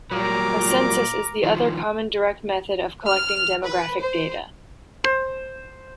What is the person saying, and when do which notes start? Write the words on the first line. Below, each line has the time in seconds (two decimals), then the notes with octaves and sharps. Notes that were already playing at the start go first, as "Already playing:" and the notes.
A census is the other common direct method of collecting demographic data.
0.11 A#2 F#3 G3 A#4 A#5 D6
1.43 D#3 F3
3.07 F6
3.63 B4
4.01 C5
5.04 C5